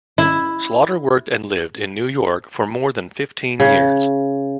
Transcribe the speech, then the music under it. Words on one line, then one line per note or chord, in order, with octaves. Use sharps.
Slaughter worked and lived in New York for more than fifteen years.
E4
C#3